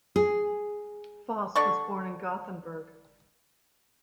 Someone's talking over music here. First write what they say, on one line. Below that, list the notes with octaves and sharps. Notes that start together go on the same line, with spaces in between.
Fasth was born in Gothenburg.
G#4
D3 D5 C#6